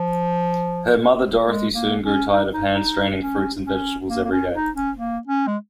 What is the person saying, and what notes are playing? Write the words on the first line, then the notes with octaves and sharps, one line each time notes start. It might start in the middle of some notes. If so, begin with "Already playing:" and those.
Her mother Dorothy soon grew tired of hand-straining fruits and vegetables every day.
Already playing: F3
G#3
A#3
C#4
D#4
D#4
D#4
C#4
C#4
A#3
A#3
C#4
D#4
C#4
A#3
C#4
G#3